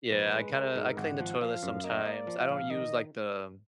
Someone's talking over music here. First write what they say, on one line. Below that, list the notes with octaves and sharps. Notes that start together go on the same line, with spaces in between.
Yeah, I kinda I clean the toilet sometimes. I don't use like the
A#1 B4
G#3
G#3 A#4
G#2
G#1 F#5
F3
F3 F5
F#2
A#3 D#5
A#3
D5
F3
F5
A#1
D#3 D#5